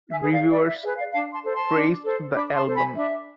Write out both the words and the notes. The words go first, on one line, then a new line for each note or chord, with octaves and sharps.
Reviewers praised the album.
E5 G#5
G#4 B4
D5 F5
E4 D5
E5
G#4 B4 E5
D5 F5
D4 F5 A5
A5 C6
A4 C5
A5 C6
D4
A4 C5
D4 B5 D6
A5 C6
A4 C5
G#5 B5
D4 E5